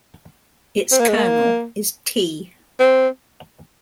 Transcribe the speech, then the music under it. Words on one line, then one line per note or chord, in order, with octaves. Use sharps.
Its kernel is "T".
C4
A#3
G#3
A#3
C4